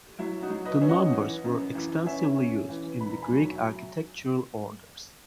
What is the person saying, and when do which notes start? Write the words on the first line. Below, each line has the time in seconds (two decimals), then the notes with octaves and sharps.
The numbers were extensively used in the Greek architectural orders.
0.19 F#3 E4
0.42 D#4 F#4
0.50 F#3
0.65 B4 D#5
0.81 C#4
0.89 D#5 F#5
1.13 E3
1.44 F#2
1.75 E3
2.06 C#4 E5 G#5
2.38 C#4
2.69 E3
3.00 E1 B5
3.11 A#5
3.22 G#5 B5
3.32 F#3
3.56 E5